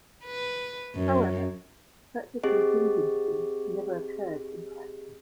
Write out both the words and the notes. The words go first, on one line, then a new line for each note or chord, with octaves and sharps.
However, such a contingency never occurred in practice.
B4
F#2
C4 G4 G#4 D#5